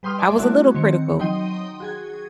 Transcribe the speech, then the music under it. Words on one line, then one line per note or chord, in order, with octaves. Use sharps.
I was a little critical,
G3 B4 G5 C6 D#6 F6
D5 E5 G#5 A5 C6 D6
G3 A3 C4 C#4 E4 F#4
D#3 C4 C#7
F#3 D#4 G5 C6 D#6 D#7
F#4 G#4 G#6